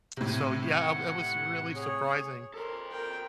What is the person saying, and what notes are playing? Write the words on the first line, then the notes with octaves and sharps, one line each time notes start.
so, yeah, w it was really surprising
A2 C3
F#5
G#4 C#5
A4 A#4 C5
A#4 G5